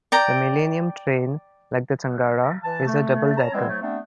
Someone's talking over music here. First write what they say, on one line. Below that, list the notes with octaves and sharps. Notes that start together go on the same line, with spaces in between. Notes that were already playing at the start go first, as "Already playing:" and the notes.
The Millennium train, like the Tangara, is a double decker.
D5 G5 A#5
E3 A5
A3
C#4 A5 A#5
E3 G3 G#3 B3 C4
G#2 F#3 A3
G3 A3 B3 C4 D4